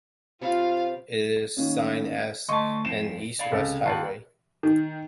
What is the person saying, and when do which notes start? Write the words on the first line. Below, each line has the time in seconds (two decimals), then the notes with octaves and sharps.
It is signed as an east-west highway.
0.41 C3 F4 F5 A5 B5
1.57 D#3 A#3 C#4
2.49 D2 A3 D#5 A5 C6 C#6
2.85 F2 C4 E4 E7
3.39 D5 F5 B5
3.52 C#2 C3 A4
3.85 D#2 F4 F#5 A5
4.63 D#3